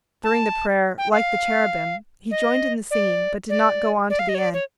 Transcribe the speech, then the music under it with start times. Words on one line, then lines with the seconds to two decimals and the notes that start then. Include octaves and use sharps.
During the prayer, "Like the Cherubim," he joined in the singing but did not go on to the end.
0.24 A5
0.98 G5
1.13 F5
2.31 D#5
2.91 D5
3.50 D5
4.10 D5
4.19 F5
4.29 D#5
4.35 C#5
4.39 D5
4.53 C#5